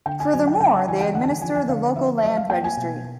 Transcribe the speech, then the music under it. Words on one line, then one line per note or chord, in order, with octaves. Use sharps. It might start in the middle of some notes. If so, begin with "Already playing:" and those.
Furthermore, they administer the local land registry.
D3 G5
G#5
F#3 G#5
G5
C#3 G5
A5
E3 G#5
G5
D3 F#5
A5
G#5
F3 G#5
G#5
D3 F5
F3 E5
F#3 D#5
F5
A#3 G5
G#5
B2